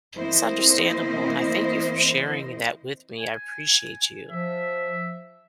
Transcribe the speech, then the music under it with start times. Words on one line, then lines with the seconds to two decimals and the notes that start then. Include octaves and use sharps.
It's understandable, and I thank you for sharing that with me, I appreciate you.
0.17 E3 A#3 C4 E4 C5 D#5
3.20 G#5
4.30 F3 E5